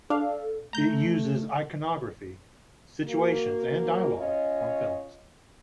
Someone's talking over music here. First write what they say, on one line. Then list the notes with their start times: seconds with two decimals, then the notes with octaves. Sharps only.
It uses iconography, situations and dialogue from films.
0.10 D4 A4 F5
0.73 A3 A#5 G6
3.06 A#3 F#4
4.17 C#4 F4 C#5 D#5